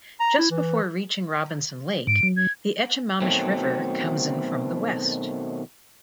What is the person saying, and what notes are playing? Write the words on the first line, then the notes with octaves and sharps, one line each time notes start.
Just before reaching Robinson Lake the Echimamish River comes in from the west.
A#5
E4
E3
G#2 D7
F#3
G#6
B2 D#3 F#3 A3 C4